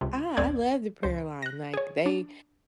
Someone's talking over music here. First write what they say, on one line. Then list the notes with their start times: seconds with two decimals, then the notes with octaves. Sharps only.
I I love the prayer line, like, they,
0.01 C#2 C3
0.37 A#1 D#2 C4 D5 D6 G#6
1.03 C#2 C5
1.42 F#6 A#6
1.74 G#4 C#5
2.06 D4